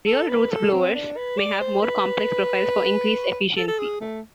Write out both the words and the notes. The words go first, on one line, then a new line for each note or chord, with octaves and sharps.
Real Roots blowers may have more complex profiles for increased efficiency.
A4
B4
A4
C4
D4
B4
D5
C5
B4
A4
A4
G#4
A3